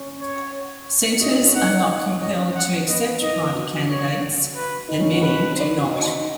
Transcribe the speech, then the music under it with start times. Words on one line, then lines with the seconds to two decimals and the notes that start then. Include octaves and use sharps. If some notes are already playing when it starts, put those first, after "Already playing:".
Centres are not compelled to accept private candidates, and many do not.
Already playing: C#4
0.21 C#5
1.21 F#4 D#5
1.30 D#4
1.38 B3
1.46 C#4
1.54 D#4 F#5
2.21 C#4 D#5
2.55 F#5
2.88 B3 D#5
3.21 D#4 D#5
3.33 D#4
3.43 D#4
3.55 F#4
3.88 C#5
4.56 B4
4.88 D#4
5.00 C#4
5.11 C#4
5.22 F#4 B4
5.78 F#4
5.89 D#4